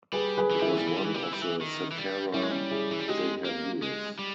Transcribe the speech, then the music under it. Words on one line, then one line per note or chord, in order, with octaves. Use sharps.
It was one of the Satara Jahagirs.
G3 G#4 B4
G#4 B4
E3
G3 E4 G#4
E3
G3
E3
G3
E3
G3
E3
G3
E3
D#3
E3
G3
G3 C#4 E4
G#3
G3
E4 G#4
E3
G3
G#3 D#4 G4
A#3
G#3
G3